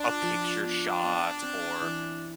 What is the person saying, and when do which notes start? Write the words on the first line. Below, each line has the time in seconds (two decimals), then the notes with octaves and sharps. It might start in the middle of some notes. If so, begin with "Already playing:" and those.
a picture shot or,
Already playing: D4 F4
0.22 F3
0.62 B3 D4
1.03 B3
1.42 C4
1.82 E3